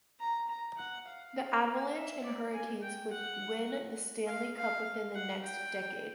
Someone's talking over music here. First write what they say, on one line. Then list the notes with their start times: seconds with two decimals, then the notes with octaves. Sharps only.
The Avalanche and Hurricanes would win the Stanley Cup within the next decade.
0.20 A#5
0.49 A#5
0.78 F#5
1.07 F5
1.94 E5
2.24 D5
2.53 G#5
2.82 G5
3.11 F#5
4.27 F5
4.57 F5
5.15 F#5
5.44 G5